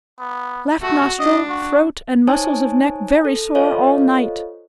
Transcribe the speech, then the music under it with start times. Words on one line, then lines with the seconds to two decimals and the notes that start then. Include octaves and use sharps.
Left nostril, throat and muscles of neck very sore all night.
0.19 B3
0.82 A3 F#4
1.20 D4 D#5
1.49 F#4
2.27 D#4 C5 C#5 G#5 A5 D#6
3.25 A4
3.55 F4 A4 C5 C#5 D#5 F5